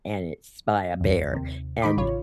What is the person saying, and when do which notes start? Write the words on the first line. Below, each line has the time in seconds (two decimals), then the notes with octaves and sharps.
and it's by, uh, Behr, and
1.00 G#1 E2
1.33 D#2 C3
1.82 D#3 D#4 B5 D6
1.97 A1 C#3 F4 C#5